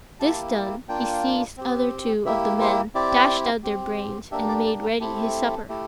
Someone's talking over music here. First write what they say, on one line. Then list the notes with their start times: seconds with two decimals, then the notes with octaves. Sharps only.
This done, he seized other two of the men, dashed out their brains, and made ready his supper.
0.20 A#3 E4 G4 A5
0.88 A#3 D4 F4 G5
1.57 C4 G4
2.26 A#3 E4 G4 E5
2.61 C5
2.95 C4 E4 G4 D5
3.64 C4 G4
4.31 A#3 D4 G4 E5
4.49 D5
4.67 D5
4.83 A#4
5.00 A3 C4 E4 G4 A4
5.69 A3 E4 G4